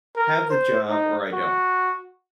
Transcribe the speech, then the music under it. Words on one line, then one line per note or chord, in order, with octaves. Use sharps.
have the job or I don't.
A#4
C5
D#4
F#4